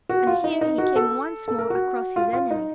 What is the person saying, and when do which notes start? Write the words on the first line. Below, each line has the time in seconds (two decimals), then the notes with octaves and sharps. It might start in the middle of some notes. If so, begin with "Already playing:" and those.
And here he came once more across his enemy.
0.09 F#4
0.27 F4
0.44 D#4
0.61 D#4
0.78 F#4
0.96 A4
1.48 A4
1.58 A#4
1.70 F#4
2.16 F4
2.33 F4
2.51 D#4